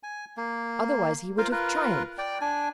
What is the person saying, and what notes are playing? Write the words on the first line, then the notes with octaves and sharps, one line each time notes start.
Otherwise he would have triumphed.
G#5
A#3
F4 A#4 C5 F5
F4 A#4 B4
D5 G5
D4 G#5